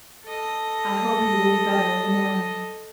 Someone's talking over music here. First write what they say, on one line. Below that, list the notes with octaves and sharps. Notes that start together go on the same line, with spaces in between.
"I hope you will be better in the morning."
A4 D#5